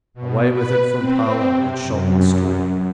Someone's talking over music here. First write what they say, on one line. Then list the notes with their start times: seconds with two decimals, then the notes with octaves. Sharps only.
Away with it from parlor, and shop, and store!
0.14 B2
0.50 B4
0.96 C4
1.49 C3
1.82 F#2